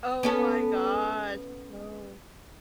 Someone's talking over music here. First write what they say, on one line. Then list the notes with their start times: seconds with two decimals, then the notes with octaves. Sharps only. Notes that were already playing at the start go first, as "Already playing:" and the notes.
Oh, my gosh, no.
0.23 B3 C#4 A4